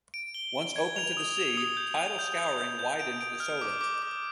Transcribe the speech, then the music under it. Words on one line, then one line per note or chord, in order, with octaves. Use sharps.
Once open to the sea, tidal scouring widened the Solent.
D7
G7
G7
G#6
F7
D#6
F7
D#6
G6
F7
G6
F7
G6
G6
D7
D7
F6
D6
D6
D6